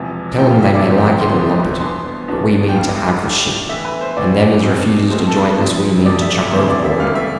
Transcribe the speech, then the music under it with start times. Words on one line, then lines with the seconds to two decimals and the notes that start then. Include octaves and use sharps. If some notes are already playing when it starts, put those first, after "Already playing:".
Tell 'em they may like it or lump it, but we mean to have the ship, and them as refuses to join us we mean to chuck overboard.
Already playing: E1 E2 C3 F3
0.38 E1 E2 C3 F3 G5
0.51 F5
0.62 E5
0.74 D5
0.86 G1 F2 C3 F3 B3 E5
0.98 G5
1.21 C6
1.33 G1 F2 C3 F3 B3
1.80 E2 B2 B3 D4 C6
2.28 E2 B2 B3 D4
2.69 G5
2.75 A2 G3 D4 F5
3.22 A2 G3 D4
3.69 A2 E3 B3 E5
3.85 B4
4.01 C5
4.17 A2 E3 B3 D5
4.64 B1 B2 A3 C4
5.11 B1 B2 A3 C4 C5
5.27 A4
5.43 B4
5.58 F2 C3 F3 A3 C5
6.05 F2 C3 F3 A3 D5
6.21 E5
6.37 E5
6.53 E1 D2 D3 G3 C4 C5
6.68 D5
6.84 E5
7.00 E1 D2 D3 G3 C4 F5
7.15 E5